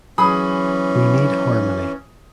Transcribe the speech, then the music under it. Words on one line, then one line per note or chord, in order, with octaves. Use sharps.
We need harmony.
E3 F#3 C#4 G#4 B5 D#6